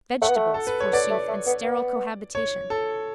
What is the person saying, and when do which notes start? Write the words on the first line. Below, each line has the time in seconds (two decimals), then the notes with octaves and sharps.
Vegetables, forsooth, and sterile cohabitation!
0.22 A3 F#5
0.29 B3
0.36 A3
0.54 A4
0.67 B4
0.80 C#5
0.92 B3 D5
1.11 A3
1.28 A3
1.47 B3
1.63 B3
2.35 C#5
2.70 A4